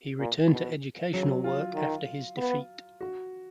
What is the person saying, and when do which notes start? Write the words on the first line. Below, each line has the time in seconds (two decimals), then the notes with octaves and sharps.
He returned to educational work after his defeat.
0.20 A#2
0.51 B2
1.14 C#3 F#3
1.44 F4
1.75 D#3
2.38 B3
3.01 F#4